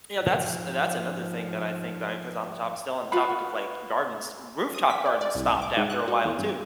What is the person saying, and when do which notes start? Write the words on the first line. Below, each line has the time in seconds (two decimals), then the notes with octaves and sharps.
Yeah, that's that's another thing that I think I 'cause on the topi still on the topic of like gardens, rooftop gardens stopped after a while too,
0.19 G#2 F3
3.12 F4 F#4 B4 B5
4.75 D#6
4.90 B6
5.06 D5
5.21 D5
5.35 C2
5.48 A1
5.62 D6
5.77 G#2
5.90 F#6
6.08 F#4
6.25 E2
6.39 G2